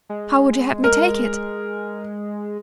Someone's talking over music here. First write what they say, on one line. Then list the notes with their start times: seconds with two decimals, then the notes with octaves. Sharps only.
How would you have me take it?
0.09 G#3
0.84 A#4